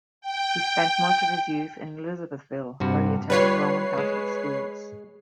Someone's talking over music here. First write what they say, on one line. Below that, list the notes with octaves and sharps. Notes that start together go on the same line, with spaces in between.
He spent much of his youth in Elizabethville, where he attended Roman Catholic schools.
G5
G2 C3 F#4
G3 F4 B4 C#5 C7
G#3